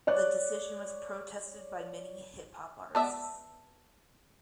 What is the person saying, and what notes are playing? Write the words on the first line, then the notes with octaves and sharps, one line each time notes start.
The decision was protested by many hip hop artists.
C#5 D5 F#6
B3 D5 E5 A5 E6